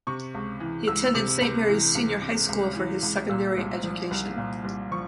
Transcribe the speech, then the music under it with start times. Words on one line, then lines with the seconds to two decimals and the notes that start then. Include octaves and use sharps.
He attended St Marys Senior High School for his secondary education.
0.07 C3 C#6
0.34 C#2
0.60 E3
0.87 C#2 E6
1.15 C3
1.41 C#2
1.69 E3
1.95 C#2
2.22 C3
2.49 C#2
2.76 E3
3.03 C#2
3.30 A#2 E6
3.57 C2
3.84 F3
4.11 C2
4.38 A#2
4.65 C2
4.91 F3 C#6